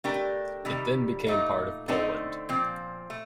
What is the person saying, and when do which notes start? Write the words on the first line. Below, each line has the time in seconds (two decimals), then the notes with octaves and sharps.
It then became part of Poland.
0.04 A3 D4 G4 A#4
0.65 C3 D#3 G3
1.27 A#2 A3 D#4
1.88 D3 A3 C4 D#4 A4
2.49 A#2 F3 C4
3.10 A3